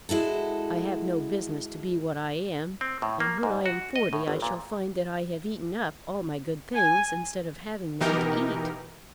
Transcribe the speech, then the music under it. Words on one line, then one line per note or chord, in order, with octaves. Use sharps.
I have no business to be what I am, and when I am forty I shall find that I have eaten up all my good things instead of having them to eat.
G#3 E4 F#4 A4
C4
A2
A#3
G#2
F#4
D#5
A2
G1
A#2
G#5
B2 E3 D#4 G4 A#4